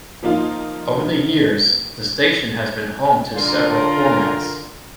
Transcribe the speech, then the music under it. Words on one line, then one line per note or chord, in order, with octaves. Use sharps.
Over the years, the station has been home to several formats.
F3 A#3 D#4 F4
D3 F4 A#4